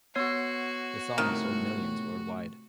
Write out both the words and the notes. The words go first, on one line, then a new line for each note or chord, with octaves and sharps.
The song sold millions worldwide.
B3 F#4 C#5 C7
A2 C3 D#3 A3